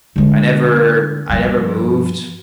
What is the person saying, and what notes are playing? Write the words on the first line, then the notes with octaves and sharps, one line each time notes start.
I never I never moved.
D3 G#3
G2 F3